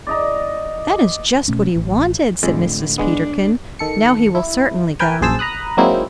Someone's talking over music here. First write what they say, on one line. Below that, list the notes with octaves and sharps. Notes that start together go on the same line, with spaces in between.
"That is just what he wanted," said Mrs. Peterkin; "now he will certainly go!"
D5 D#5 A#5
B2 A3 C#4
A1
F2 A2 D3 G#3
G#3 B3 D4
D#3 A4 C#7
E4
A#4 B4 G5 G#5
A#1 F#2 G#4 C5 A5 E6
A#5 B5 D#6 F#6
F#3 G#3 A#3 C4 D#4 E4